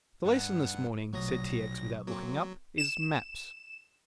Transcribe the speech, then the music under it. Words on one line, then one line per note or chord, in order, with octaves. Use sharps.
"The lesson this morning," said T. X. without looking up, "is maps."
G2 F#5
A#1 B2 F#3 A3 D#6 A#6
F#3 A#3 C4
E7